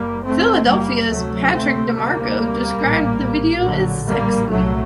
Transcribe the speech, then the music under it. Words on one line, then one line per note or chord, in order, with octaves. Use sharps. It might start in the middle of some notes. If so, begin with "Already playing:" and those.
"Philadelphia"'s Patrick DeMarco described the video as "sexy".
Already playing: F#1 F#2 G3 A#3
A3 C4
G3 A#3
D2 C3 F#3 A3
A3 C4
G3 A#3
A#1 A2
D3 F#3
G3 A#3
C2 A#2 F#3 A3